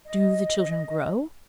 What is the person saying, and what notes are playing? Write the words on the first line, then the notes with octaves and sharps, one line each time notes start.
Do the children grow?
D#5